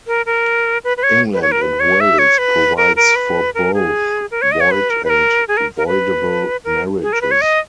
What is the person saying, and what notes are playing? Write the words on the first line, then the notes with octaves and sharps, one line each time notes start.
England and Wales provides for both void and voidable marriages.
A#4
A#4
B4
B4
C#5
B4
C#5
A#4
B4
C#5
E5
C#5
B4
A#4
A#4
B4
A#4
G#4
A#4
C#5
D#5
C#5
B4
A#4
B4
A#4
G#4
A#4
A#4
B4
A#4
G#4
A#4
B4
C#5
D#5